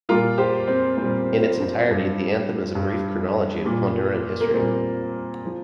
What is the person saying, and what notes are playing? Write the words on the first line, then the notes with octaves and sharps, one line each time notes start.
In its entirety, the anthem is a brief chronology of Honduran history.
A#2 G3 F4 A#4
G4 C5
C4
A#2 G3 C4
G2 G3
G2 G3
A#2 G3
A#3
A#2 G3 C4
F3